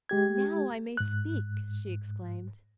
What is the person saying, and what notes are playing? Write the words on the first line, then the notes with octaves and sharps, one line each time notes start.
"Now I may speak!" she exclaimed.
G#3 G4 G#6
G#2 F#6